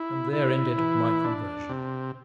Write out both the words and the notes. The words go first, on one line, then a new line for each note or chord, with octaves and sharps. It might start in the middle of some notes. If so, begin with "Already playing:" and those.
And there ended my conversion.
Already playing: E4
E4
E3
D4
C3